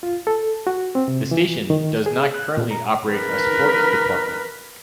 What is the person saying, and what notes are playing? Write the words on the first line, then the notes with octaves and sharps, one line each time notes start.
The station does not currently operate a sports department.
F4
A4
F#4
C4
C3
E3
D#3
G#4
F#6
A#2
A#5
A#4 B4